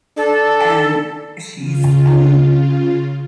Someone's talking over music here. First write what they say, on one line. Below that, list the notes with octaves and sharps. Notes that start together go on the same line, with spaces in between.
and she's, um,
D4 A4
C#3 F4